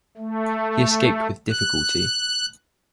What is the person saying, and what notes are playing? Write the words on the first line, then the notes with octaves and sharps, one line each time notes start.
He escaped with difficulty.
A3
F#6